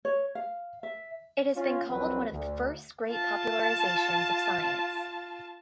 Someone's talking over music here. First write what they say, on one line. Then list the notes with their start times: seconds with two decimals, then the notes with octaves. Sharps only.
It has been called one of the first great popularizations of science.
0.05 C#5
0.35 F5
0.83 E5
1.56 C#4 F4
1.89 C2 F2 F#3 C4 B4
2.30 D2
3.11 F4 A5